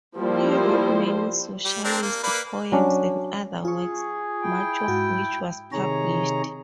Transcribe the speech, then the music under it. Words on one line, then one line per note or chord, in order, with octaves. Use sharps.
He wrote many socialist poems and other works, much of which was published.
F3 G3 A#3 E4 C5
G3
C4 D4 A#4
A#3
A#3 B4 D5
F#3 C#4 D4
F4 G#4 C#6
E4 G5
G#2 F#4
C3 D#3 G#4 C#5 A#5